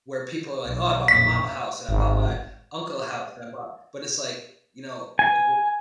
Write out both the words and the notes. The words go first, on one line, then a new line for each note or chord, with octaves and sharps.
where people are like, "Oh, I bought my mom a house, and I bought my uncle a house and I bought" But it's like, you know, if you
B1
A#1 F2 B6
G#1
G#5